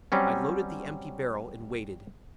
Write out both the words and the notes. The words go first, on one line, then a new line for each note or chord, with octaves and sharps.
I loaded the empty barrel and waited.
F#3 G3 C4 C#4